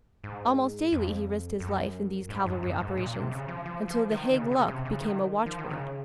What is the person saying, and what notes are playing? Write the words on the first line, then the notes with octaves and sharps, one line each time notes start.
Almost daily he risked his life in these cavalry operations--until the "Haig luck" became a watchword.
G#2
F2
F#2
G#2
F#2
F#2
G#2
A#2
C3
C#3
F3
F3
F3
D#3
C#3
C#3
C3
C#3
D#3
F3
D#3
C#3